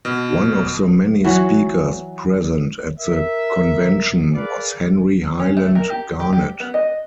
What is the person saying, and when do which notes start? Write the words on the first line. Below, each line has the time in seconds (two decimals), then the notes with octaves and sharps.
One of the many speakers present at the convention was Henry Highland Garnet.
0.05 B2
1.24 E3 F#3 F#4
2.98 A#4 E5
4.34 G#4 A#4 B4 D5 F5
5.40 C#4
5.57 A3
5.75 A#4
5.90 G4
6.20 G4
6.33 G4
6.60 B3
6.74 D#5